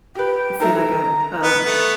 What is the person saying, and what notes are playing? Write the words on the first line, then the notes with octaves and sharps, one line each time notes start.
say, like, a a
G4 B4 G5
D#4 A4 E5 A#5
B3
A3 B3